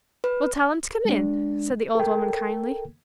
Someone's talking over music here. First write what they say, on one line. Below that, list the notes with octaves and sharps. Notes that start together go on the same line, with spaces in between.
"Well, tell him to come in," said the old woman kindly.
B4
G#3 D4
A4 A#4 G5